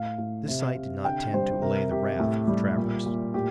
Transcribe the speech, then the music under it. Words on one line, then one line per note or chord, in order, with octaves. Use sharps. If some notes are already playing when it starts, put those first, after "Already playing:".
This sight did not tend to allay the wrath of the trappers.
Already playing: A2 F5
A2
C3
C3
D3 G5
G3 C5
C3 A#4
C3 G4
A2
G3
A#2
A#2
A2 G4